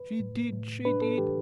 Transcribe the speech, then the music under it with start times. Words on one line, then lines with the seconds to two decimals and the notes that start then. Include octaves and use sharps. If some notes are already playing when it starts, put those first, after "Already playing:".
She did--she did!
Already playing: B4
0.20 A2
0.52 A2
0.85 D4 B4
1.02 A4
1.18 E3 G4